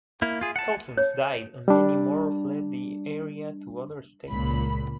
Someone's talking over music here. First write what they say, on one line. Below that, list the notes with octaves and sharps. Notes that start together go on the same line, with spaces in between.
Thousands died, and many more fled the area to other states.
A#3 E4
F4 G#4
F#5 A5
C#5
G3 D4
C#2 A#2 B5